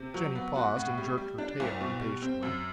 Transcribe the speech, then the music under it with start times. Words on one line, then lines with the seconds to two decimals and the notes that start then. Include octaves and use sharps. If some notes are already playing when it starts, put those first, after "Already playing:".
Jenny paused and jerked her tail impatiently.
Already playing: C3
0.14 F#3
0.35 B3
0.56 F#4
0.77 A2
0.98 G3
1.18 G3
1.38 D4
1.60 C2
1.81 B2
2.01 G3
2.22 C4
2.43 F#2